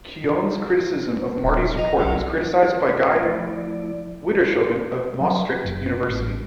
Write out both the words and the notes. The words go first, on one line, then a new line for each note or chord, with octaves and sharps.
Keown's criticism of Marty's report was criticised by Guy Widdershoven of Maastricht University.
D#1
D#5 A#5
B1 F#2 F#3 G3
F3 A3 E4 D5
F#3
F#1
A1